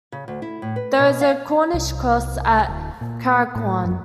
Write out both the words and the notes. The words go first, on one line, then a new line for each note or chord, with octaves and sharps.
There is a Cornish cross at Carracawn.
C#3
D2
E4
A2
B4
B2
F5
C2
D1
A#2
A2
F#2